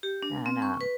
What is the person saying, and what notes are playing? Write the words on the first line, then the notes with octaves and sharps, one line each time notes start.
and, um
G4
D4
C4
C#6
B4